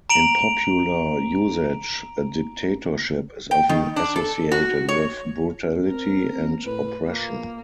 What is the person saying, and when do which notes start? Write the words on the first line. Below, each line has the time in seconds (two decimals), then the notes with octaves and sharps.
In popular usage, a "dictatorship" is often associated with brutality and oppression.
0.10 A#5 D7 F7 F#7
3.51 G5
3.69 D#3
3.96 D4
4.16 A4
4.52 F#4
4.89 C#5
5.86 C4 A#4
6.65 A2 B4
7.08 A#2 A#3